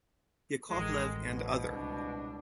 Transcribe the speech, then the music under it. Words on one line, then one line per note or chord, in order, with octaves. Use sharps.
Yakovlev and other.
A1 D2 D#3 G#3
C2 B2
C#2 D4